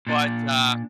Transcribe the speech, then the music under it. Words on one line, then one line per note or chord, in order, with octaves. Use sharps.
But, uh
A#2 D4